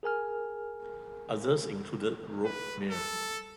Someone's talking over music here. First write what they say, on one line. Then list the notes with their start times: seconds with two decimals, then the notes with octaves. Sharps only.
Others included "Rogue Male".
0.03 G#4 A#4 G#5 F6
2.45 B4
2.90 A4